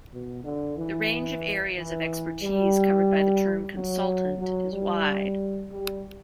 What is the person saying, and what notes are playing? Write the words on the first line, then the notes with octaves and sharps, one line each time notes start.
The range of areas of expertise covered by the term "consultant" is wide.
B2
D3
E3
E3
G3
F#3
F#3
G3
G3